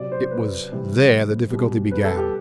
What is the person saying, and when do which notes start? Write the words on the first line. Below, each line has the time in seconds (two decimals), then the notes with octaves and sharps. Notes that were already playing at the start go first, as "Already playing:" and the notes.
It was there the difficulty began.
Already playing: C3 F#3 D5
0.12 C5
0.31 B4
0.72 C3 E3 G3
1.51 B2 G3
1.91 B4
2.04 A4
2.17 G4